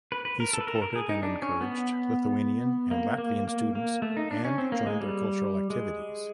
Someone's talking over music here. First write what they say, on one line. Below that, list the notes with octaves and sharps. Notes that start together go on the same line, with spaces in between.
He supported and encouraged Lithuanian and Latvian students and joined their cultural activities.
B4
B4
A#4
A4
B4
A#4
A4
A#4
G#4
D#4
D4
C#4
B3
A#3
A#3
A#3
A#3
A3
D#4
D4
C#4
C4
A#3
G#3
G3
G#3